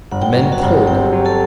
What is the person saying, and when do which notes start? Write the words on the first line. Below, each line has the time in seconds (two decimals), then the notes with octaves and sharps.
The men pulled.
0.11 G1 F#5
0.22 G5
0.32 F#3 F#5
0.41 G5
0.52 F#4 F#5
0.62 G1
0.87 C4 G4 G5
1.13 F#3
1.25 A4 A5